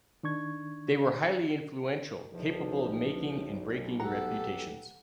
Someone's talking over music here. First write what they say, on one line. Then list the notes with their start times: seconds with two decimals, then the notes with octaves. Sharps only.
They were highly influential, capable of making and breaking reputations.
0.23 D#3 D4 C#6 G#6
2.33 B1 E2 F3
4.00 G4 A4 F#5 A#5